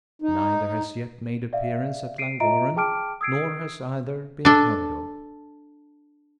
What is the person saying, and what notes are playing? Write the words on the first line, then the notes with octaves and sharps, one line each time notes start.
Neither has yet made appearance at Llangorren, nor has either been heard of.
D#4
D5 E5 F5
C7 D7 D#7
F4 D#5 E5 A#5 D7
G#4 G5 A5 D6 F6 D7
D#6 E6 G#6 C7 D7
D4 A4